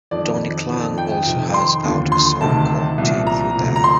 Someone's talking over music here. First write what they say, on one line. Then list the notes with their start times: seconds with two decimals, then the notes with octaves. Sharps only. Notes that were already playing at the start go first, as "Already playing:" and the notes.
Donnie Klang also has out a song called "Take You There".
0.11 F2 D#3 D5
0.69 F2 D#3
0.98 G5
1.26 F2 C3 D#3
1.54 C6
1.83 D#2 D3 F3
2.12 C6
2.41 D2 C3 D#3 A5
2.98 C2 A#2 F3
3.27 A#5
3.55 D2 C3 F3
3.76 A#5
3.84 C6